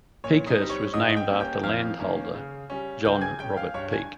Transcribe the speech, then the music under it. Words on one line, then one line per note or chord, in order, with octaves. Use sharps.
Peakhurst was named after landholder John Robert Peake.
A#2 C#5
D#4 D#5
G3 C4
C#5 C#6
G#2 D#5 D#6
G5 G6
G3 A#3 C#4
G5 G6
F2 F5 F6
D#3 A#3 C#4
C#3
G3 C#4
C#3 G5 G6
G#5 G#6
G#3 C#4 G5 G6
F5 F6
G2 C#5 C#6
G#5 G#6